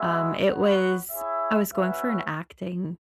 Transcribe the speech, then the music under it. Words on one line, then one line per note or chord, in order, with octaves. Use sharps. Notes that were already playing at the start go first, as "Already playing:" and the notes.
um, it was I was going for an acting
Already playing: G#3 B3 F#4 E5
B3 F#4 C#5 F#5
E4 G#4 C#5 E5
C#4 F#4 B4 E5